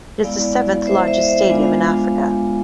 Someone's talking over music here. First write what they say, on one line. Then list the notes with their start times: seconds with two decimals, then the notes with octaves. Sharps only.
It is the seventh largest stadium in Africa.
0.23 G#3 B3 E4 D5 F5
0.87 C5 E5
0.99 F5
1.07 C5 E5
1.29 C5 E5
1.50 G#3 B3 D4 F4 G#5
1.63 F5